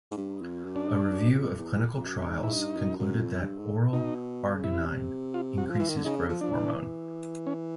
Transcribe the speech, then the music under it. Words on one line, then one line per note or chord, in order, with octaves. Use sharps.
A review of clinical trials concluded that oral arginine increases growth hormone.
G#2
G2
F2
F#2
D4
G2
F#2
F2
E2
F2
F#2
G#2
G#2 E4
G2 D#4
F#2
F#2
F2
G2
G#2
B2 D#4
C#3
C3 E4
F4
F#4
F3
F4
E3 E4
D#3
D3
C#3 D#4
F3
F3 D4
E3
C#4